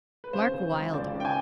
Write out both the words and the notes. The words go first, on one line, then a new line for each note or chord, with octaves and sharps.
Mark Wylder!
B4
C#3 C5
C#3
C#2
C#2 D5
C#3
G5
G#5